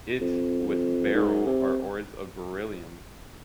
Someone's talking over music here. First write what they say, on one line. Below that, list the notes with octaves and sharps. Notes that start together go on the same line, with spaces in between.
It, with beryl, are ores of beryllium.
F2
F2
G#2
C3